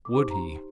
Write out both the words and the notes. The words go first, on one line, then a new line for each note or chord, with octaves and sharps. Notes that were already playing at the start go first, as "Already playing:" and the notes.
Would he!
D6
D#4 G4 C5 C6
A#5
C6